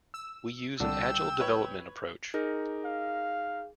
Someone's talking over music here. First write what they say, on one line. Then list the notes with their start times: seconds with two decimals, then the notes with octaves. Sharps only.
We use an agile development approach.
0.14 E6
0.80 C2 D3 G5 E6
1.40 B4 C#5
2.34 D#4 G#4 A#4
2.85 F5